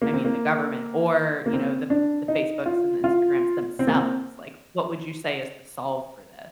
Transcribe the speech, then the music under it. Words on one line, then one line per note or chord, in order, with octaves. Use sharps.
I mean, the government, or, you know, the the Facebooks and the Instagrams themselves, like, what would you say is the solve for this?
A#3
C4
A#3
A#3
C4
D4
D#4
F4
F4
C4
A#3
C4